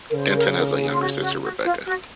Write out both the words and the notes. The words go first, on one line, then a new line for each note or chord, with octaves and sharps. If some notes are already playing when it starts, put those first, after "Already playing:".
Denton has a younger sister, Rebecca.
A#4
C#3 C5
C5
A#4
A#4
G#4
F4
F#4
F#4
F#4
F4
F#4